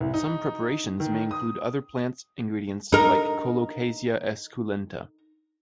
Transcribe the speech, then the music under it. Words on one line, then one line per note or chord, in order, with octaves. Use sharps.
Some preparations may include other plant ingredients like "Colocasia esculenta".
C2
D#4
D#3
D#6
D#4 A#4